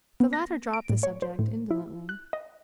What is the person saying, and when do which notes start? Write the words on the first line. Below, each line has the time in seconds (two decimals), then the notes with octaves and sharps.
The latter dropped the subject indolently.
0.20 B3
0.33 A#6
0.73 D7
0.89 A2
1.03 C#5
1.22 C5
1.39 A2
1.70 E4
2.09 F#6
2.33 D#5